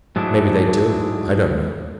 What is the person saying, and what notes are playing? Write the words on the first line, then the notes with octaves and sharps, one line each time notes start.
Mebby they do; I don't know.
G#2 F#3 G#3 A3 D4 E4